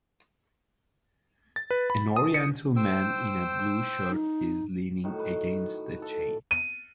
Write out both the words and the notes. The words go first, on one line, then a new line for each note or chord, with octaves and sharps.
An oriental man in a blue shirt is leaning against a chain.
A6
B4
B5
D#6
C#7
C5 G5 E6
D#4
A2 D#3 F#4
B4
A4
D#7